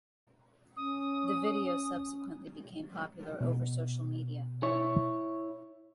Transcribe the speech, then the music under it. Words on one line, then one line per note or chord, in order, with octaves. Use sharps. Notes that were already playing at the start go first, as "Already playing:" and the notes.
The video subsequently became popular over social media.
C#4 D#6
B2
E4 C#5